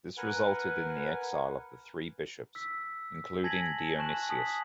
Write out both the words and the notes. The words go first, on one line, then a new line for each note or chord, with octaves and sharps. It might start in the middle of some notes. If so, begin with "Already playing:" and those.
This resulted in the exile of the three bishops, including Dionysius.
A#4 B4 F#5 G#5
E6 B6
G#5 A5 G#6 A#6 B6 F#7
G#5 A5 C#6 F#6 E7 F#7
A5 D#6 B6